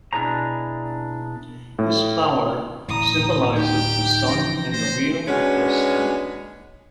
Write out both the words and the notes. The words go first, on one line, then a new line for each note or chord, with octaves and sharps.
This flower symbolizes the sun and the wheel of destiny.
B2 D4 E4 G#4 C5 A#5
A2
D1 E3 E4 A#5 D#6
D1 C#3
D#4 G4 G5
C#3 E3 F3 A#6
C5
G#3 C#4 D4 F#4 B4 C#5